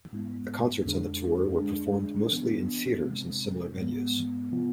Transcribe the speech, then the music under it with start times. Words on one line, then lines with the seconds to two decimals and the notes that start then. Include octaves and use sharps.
The concerts on the tour were performed mostly in theaters and similar venues.
0.12 G#2 G#3 B3 E4
0.85 F2 D3 G#3 D4 G#4
1.59 D3 G#3 D4 G#4
2.31 E3 B3 D4
3.05 C3 G#3 C4
3.78 G#2 G#3 B3
4.51 C3 F3 B3 F4